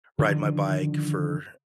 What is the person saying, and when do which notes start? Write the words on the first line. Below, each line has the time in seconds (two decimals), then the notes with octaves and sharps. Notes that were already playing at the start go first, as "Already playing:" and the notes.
ride my bike for
0.19 D3 D#3 F3